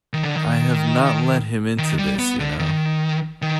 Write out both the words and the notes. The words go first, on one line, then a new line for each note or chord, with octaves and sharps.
I have not let him into this, you know.
D#3
D3
D#3
D#3
G3
B3
D3
D#3
D#3